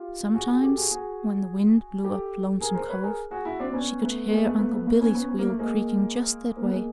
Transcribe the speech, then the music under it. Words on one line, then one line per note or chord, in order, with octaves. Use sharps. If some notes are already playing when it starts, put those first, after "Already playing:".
Sometimes, when the wind blew up Lonesome Cove, she could hear Uncle Billy's wheel creaking just that way.
Already playing: F4 G4
F#4 G#4
F#4 G#4
G4 A4
F#4 G#4
F#4 G#4
G4 A4
G#4 A#4
A#4 C5
B4 C#5
G#4 A#4
F#4 G#4
E4 F#4
C4 D4
C4
B3 C#4
A3 B3
G#3 A#3
A3 B3
A3 B3
A3 B3
A3 B3
B3 C#4
B3 C#4
B3
A#3
A3
G#3 A#3
A#3
B3
G#3 A#3